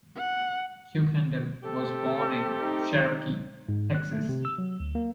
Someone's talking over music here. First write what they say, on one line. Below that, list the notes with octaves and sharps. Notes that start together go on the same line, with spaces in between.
Kuykendall was born in Cherokee, Texas.
F#5
A3 C4 G4 A4
D#4
G#2
F#6
A3
C3
E6
F#3
D2
A#3